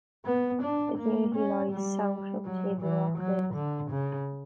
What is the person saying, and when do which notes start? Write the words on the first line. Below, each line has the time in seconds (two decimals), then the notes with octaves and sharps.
The community lies south of Table Rock Lake.
0.25 B3
0.62 D4
0.98 A#3
1.35 C#4
1.72 G3
2.45 F#3
2.81 E3
3.18 F#3
3.54 D3
3.91 C#3